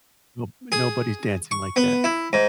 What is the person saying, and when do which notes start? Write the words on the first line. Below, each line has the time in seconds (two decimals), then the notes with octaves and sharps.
No nobody's dancing like that.
0.72 G#4
1.51 C#6
1.76 B3
2.04 E4
2.33 G#2